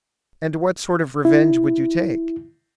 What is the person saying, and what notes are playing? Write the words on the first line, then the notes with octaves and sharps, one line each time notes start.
"And what sort of revenge would you take?"
E4